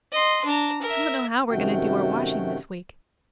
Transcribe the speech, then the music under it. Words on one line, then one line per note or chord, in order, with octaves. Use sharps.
I don't know how we are going to do our washing this week.
D#5 C6
D4 A#5
A#4 E5
F#2 C3 D#3 A3 F#4 G5